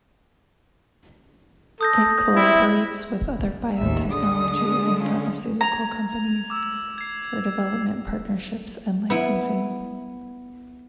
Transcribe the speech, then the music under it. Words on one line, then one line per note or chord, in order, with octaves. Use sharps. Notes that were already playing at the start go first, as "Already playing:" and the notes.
It collaborates with other biotechnology and pharmaceutical companies, for development partnerships and licensing.
A4 D#6 G6 A#6
C4 E4
A1 D#2 E5
D3 G#3 D#6
C#4 F4
A#5 G#6 F7
D6 E6
G#6 C7
B3 E4